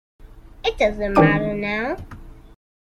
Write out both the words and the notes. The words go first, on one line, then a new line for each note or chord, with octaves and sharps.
It doesn't matter now.
D#3 E3 C4 D4 D6 D#7